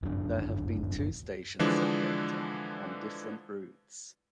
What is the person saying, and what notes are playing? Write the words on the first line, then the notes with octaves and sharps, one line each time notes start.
There have been two stations at Deighton, on different routes.
D1 G1 F#2 D4
D3 E3 F3 G#3 D4